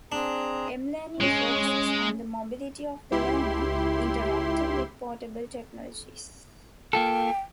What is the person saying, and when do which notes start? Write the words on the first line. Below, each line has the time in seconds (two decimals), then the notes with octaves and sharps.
M-learning focuses on the mobility of the learner, interacting with portable technologies.
0.12 C4 D4 G#4 A#5
1.20 G#3 C#4
3.11 C#2 E4 G4 C6
6.93 A#3 F4 A4 G5